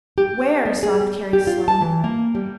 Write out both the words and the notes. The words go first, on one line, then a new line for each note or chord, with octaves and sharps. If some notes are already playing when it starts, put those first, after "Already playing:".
"Where?" sobbed Carrie Sloane.
G4
B3
G#4
G3
G4
F4
A5
E3
A#3
G3